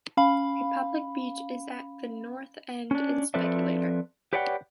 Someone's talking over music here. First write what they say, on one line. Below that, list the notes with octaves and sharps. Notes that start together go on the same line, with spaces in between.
A public beach is at the north end in Speculator.
C#4 F5 B5
C#4 D4
F3 C4 A4 B4 D5 E5
G4 B4 C#5 D5 F#5 G5